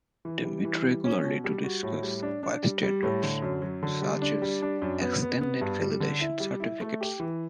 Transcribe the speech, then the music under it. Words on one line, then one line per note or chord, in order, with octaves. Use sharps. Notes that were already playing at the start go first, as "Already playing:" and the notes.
They meet regularly to discuss web standards such as extended validation certificates.
E3
G3
E3
G3
C#4
B2
G3
F#4
A2
G3
D4
D4
G3
G3
A2
D3
F#2
F#3
D3
G3
D4
G3
D4
F#2
B3
B3
B3
G2
G3
D3
E4
G3
E4
A3
G4
E3